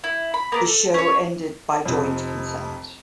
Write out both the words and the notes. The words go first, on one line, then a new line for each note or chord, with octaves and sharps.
The show ended by joint consent.
E4
B5
A#3 B3 A#4
A4
C#4 C#5
F1 F2